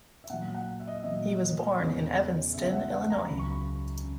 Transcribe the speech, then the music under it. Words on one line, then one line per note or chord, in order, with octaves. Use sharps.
He was born in Evanston, Illinois.
E5
A#2 F#3 F#5
F#5
E5
D#5
E5
A#2 F#3 D#5
E2 C#3 G#3
E2 C#3 G#3 E5
E5
F#5
F#5
A#5
C#2 C#3 F#3 B5
C#6
B5
C#3